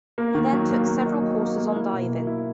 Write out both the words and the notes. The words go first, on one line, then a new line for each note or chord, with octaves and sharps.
He then took several courses on diving.
A#3
D#3
F#3
A#3
A#3
D#4
F#3
A#3
A#3
E4
B2
A#3
E4